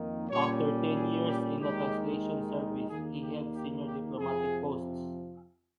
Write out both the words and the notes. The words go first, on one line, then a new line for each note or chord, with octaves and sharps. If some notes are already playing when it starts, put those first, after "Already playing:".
After ten years in the translation service, he held senior diplomatic posts.
Already playing: F2 D#3 A#3 D#4
A#2 G3 C#4 C#5
G#4
G4
D#2 D#3 G#3 D#4 G4
D#2 D#3 A#3 D#4 G#4
G4
G4
G4
F2 C3 F3 G#4